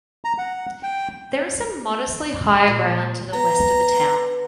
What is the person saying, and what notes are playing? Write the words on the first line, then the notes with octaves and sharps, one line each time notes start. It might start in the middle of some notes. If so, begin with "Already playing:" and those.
There is some modestly higher ground to the west of the town.
A#5
F#5
G5
A#2
B3 A#5